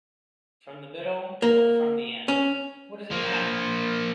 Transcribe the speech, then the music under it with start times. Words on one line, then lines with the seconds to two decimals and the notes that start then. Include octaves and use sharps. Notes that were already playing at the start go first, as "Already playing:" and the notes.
From the middle or from the end — what does it matter?
1.42 A#3
2.28 C#4
3.11 F3 A#3